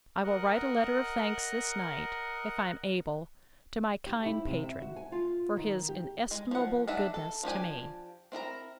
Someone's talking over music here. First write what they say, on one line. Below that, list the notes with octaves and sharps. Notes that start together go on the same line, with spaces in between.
I will write a letter of thanks this night, if I am able, to my kind patron, for his inestimable goodness to me.
A#4 D#5 F#5
G4
E4
C3
E5
F#4
G#5
F4
D#3
G4
G#3
F3 F#5
D4 D#4 E5 F#5
A4
F3 D4 G4 G#5
C4 E4 A#4 A#5